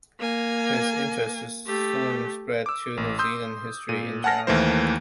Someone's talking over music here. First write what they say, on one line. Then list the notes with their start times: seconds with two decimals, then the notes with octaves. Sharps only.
His interests soon spread to New Zealand history in general.
0.19 A#3 G#5
1.66 A3 G4
2.66 D6 E6
2.97 A1
3.19 C6 D#6 E6 G6
3.89 A#2 D#7
4.24 F#5 G#5 A5 F6 A#6
4.47 D#2 E3 A3 A#3 E4 C5